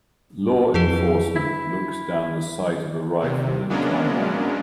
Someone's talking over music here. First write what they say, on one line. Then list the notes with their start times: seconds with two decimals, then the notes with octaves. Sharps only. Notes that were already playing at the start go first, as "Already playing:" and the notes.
Law Enforcement looks down the sight of a rifle in Thailand.
0.74 F2 E4 G#4 B4
1.36 E4
3.20 D#2 C3
3.69 F#3 G#3 A#3 B3 C#4 D4